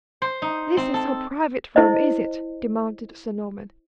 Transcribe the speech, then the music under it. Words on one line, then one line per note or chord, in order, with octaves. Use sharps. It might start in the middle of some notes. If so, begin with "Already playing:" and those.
"This is her private room, is it!" demanded Sir Norman.
C5
D#4
C4
A4
E4 C5 D#5